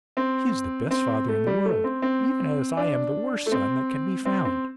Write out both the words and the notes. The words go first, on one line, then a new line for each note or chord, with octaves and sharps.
"He is the best father in the world, even as I am the worst son that can be found."
C4
C4
A3
G3
A3
C4
C4
D4
A3
C4
C4
C4